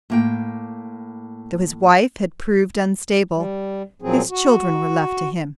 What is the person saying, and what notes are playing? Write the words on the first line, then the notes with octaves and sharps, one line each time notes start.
Though his wife had proved unstable his children were left to him.
A2 A#3 G5
G3
A#2 F3 F#3 C4 G#4
F#4